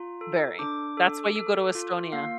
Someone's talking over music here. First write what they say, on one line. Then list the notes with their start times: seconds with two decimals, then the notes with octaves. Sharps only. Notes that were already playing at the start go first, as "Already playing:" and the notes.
Very. That's why you go to Estonia.
Already playing: F4 A#5
0.21 A4
0.59 D4 D6
0.97 A4
1.36 A4
1.75 F4
2.12 A#3 F5